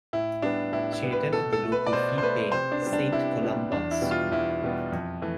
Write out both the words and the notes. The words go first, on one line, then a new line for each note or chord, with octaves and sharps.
She attended the local fee paying Saint Columba's School.
A2 E4
G3 B3 D4
A2 E4
E4
G3 B3
B4
B2 A4
A4
A3
B4
D5
B2 C5
C5
A3 B4
C3 C5
D4
G3 B3
D4
C3 E4
G3 B3
E2 D4
E4
B2 G3 B3
F4
E2 E4
B2 G3 B3
F2
E3 A3